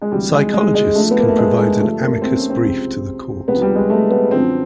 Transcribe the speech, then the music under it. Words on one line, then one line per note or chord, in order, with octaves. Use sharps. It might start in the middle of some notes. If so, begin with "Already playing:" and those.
Psychologists can provide an amicus brief to the court.
G#3
D2 C3 E3 G3
G#3
G#3
G#3
D2 D3 F3 A3
B3
A#3
A3
G#3
G#3
G2 D3 F3 A3
A#3
C4
C#4
C4
C#2 C3 F3
C#2 C3 F3 B3
G3
G#3
A3
B3
F#2 D3 F3 C4